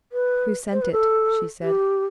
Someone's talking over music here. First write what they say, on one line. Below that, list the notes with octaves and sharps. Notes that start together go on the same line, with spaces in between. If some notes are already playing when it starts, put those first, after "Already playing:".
"Who sent it?" she said.
B4
C5
B4
A4
G4